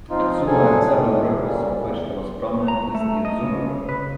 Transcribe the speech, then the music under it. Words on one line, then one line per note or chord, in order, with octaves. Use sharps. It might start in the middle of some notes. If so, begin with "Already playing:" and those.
Atsuma has several rivers of which the most prominent is the Atsuma River.
F3 C4 D#4 F4
E2 F#3 G3 G#4 A4 G#5
A2 D#3
A#2 C#3 G3
E2
A#5
A3
D#5
C#3
B4